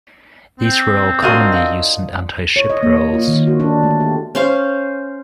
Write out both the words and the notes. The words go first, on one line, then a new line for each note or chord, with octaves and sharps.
These were all commonly used in anti-ship roles.
C4
D4 F4 F#4 A#4 D#5 C6
F5
C#5
D#5
A#3
F4
D#3
F#4
D4
A3
G4
C#4 C5 F5